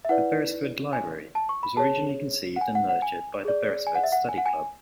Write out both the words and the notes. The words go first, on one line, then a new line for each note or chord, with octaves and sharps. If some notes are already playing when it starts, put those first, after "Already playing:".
The Beresford Library was originally conceived and nurtured by the Beresford Study Club.
E5
E4 B4 D5 F#5
G#5
A5
C#6
B5
G#4 C#5 A5
F#5
G#5
F#5
F#5
G#5
G#4 D5
G#5
F#5
E5
F#5
G#5
F#5
G#5